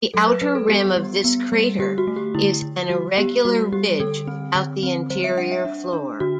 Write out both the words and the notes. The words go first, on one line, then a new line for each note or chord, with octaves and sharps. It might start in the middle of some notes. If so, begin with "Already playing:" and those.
The outer rim of this crater is an irregular ridge about the interior floor.
F#3 A4
B4
F#3 B4
A4
B3 G4
G3
B3
G3
D3 G4
F#4
A3
G4
D3 E4
D3
G3 F#4
B3 G4
G3 F#4
G3 G4
D3 A4
C4
D3
C4
G3 C5
E5
D4 F#5
E5
D4
D4
D3 F#4